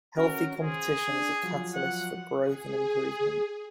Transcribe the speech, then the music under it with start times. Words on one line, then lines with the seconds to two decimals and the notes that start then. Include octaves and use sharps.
Healthy competition is a catalyst for growth and improvement.
0.17 C#4 F#4 A#4
0.64 G#4 C5
1.08 D4
1.43 F3 F#3
1.75 F#5
2.40 G#4